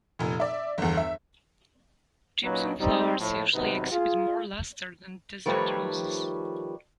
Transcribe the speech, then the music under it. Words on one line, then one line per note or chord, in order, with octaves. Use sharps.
Gypsum flowers usually exhibit more luster than desert roses.
F1 A#2
D5 E5
G1 E2
E5
A#2 F#3 A#3 C#4 D#4 B4
G3 C4 D#4
F2 A2
G#1 C3 F#3 B3 D#4 B4
F4 G#4
D#3 F3 G3 A3 B4 C#5